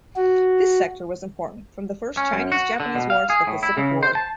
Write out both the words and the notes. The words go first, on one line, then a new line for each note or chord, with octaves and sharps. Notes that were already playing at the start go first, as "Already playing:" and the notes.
This sector was important from the First Chinese-Japanese war to the Pacific War.
F#4
C#4
F#2
F#4
D3
B2
F5
G#4
A2
E4
C#3
C5
A5